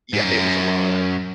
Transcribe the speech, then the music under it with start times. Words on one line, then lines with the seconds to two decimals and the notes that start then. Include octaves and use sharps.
Yeah, it was a lot. I
0.13 G#2
0.24 F#2